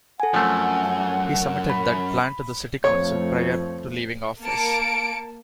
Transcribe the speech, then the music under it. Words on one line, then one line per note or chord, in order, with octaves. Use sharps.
He submitted that plan to the city council prior to leaving office.
A4 F#5 G#5
F#2 F3 A3 C4
B5
F2 F3 A3 C#5
A#3 A5 C#7 D7